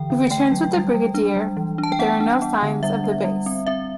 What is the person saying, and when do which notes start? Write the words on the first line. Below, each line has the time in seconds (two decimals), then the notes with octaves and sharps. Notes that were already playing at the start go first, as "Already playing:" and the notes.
He returns with the Brigadier, but there are no signs of the base.
Already playing: D3 E3 G5
0.10 D3
0.31 A3 G5
0.52 F#3
0.74 G3
0.95 G3
1.15 D4
1.36 G3
1.57 E3
1.78 D4
1.83 A5
1.92 G5
1.99 B3 F#5
2.20 D4
2.42 B3
2.63 D3
2.83 G3 E5
3.04 G3
3.24 G3
3.46 C4
3.67 C4 E5